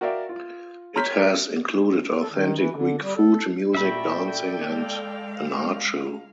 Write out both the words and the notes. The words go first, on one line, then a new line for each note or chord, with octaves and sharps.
It has included authentic Greek food, music, dancing, and an art show.
F#4 A#4 D5 E5 F5 G5
F4
C#5 A#5 C6 F6 G6 B6
A#4 D5
A4
D#3
E3
D3
G3
A4
A#2 F#4 A4 D5 E5 G5 B5
G#3 F5